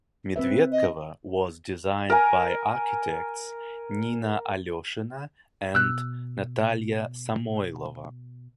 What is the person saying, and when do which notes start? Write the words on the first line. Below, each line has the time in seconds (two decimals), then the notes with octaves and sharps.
Medvedkovo was designed by architects Nina Aleshina and Natalya Samoilova.
0.36 C4 B4 E5
0.72 D#5
2.10 A#4 G#5
5.75 B2 E6 F#6